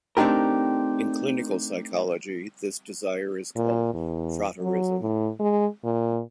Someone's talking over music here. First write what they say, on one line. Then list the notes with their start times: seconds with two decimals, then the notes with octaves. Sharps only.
In clinical psychology, this desire is called frotteurism.
0.17 A3 C4 D4 D#4 G4 A#4
3.56 A#2
3.94 E2
4.62 F#3
5.02 A2
5.40 G#3
5.84 A#2